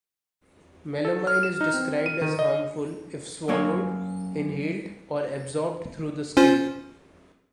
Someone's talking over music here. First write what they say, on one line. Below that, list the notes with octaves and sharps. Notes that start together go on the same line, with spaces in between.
Melamine is described as Harmful if swallowed, inhaled or absorbed through the skin.
A4
F6
E7
D#4
C4
D#7
D#3
D#5
F#2 A#3 C#5
C#4 F4 C5